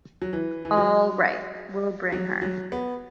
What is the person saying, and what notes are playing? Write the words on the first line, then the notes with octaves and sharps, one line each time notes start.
All right; we'll bring her!
F#3
E3
E3
F#3
F#3
F#3
B3